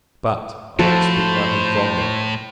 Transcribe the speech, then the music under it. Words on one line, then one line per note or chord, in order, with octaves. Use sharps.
But, I expect nothing from them.
A2 F3 F#4 A4 C5